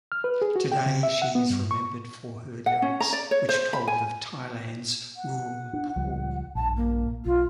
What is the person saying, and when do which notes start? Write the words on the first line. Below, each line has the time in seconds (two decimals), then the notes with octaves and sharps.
Today she is remembered for her lyrics, which told of Thailand's rural poor.
0.12 F6
0.24 B4
0.42 G#4
0.56 F#4
0.72 G5
0.86 C#3
1.03 E5
1.22 F#5
1.35 B3
1.50 G2
1.71 C#6
2.66 F#5
2.82 C#4
3.00 A#5
3.13 D5
3.31 C#5
3.49 C5
3.73 B5
3.87 G#5
5.16 F#5
5.73 D4
5.96 C#2 F3 G3
6.55 A#1 G2 A5
6.76 A#3
7.26 B1 F4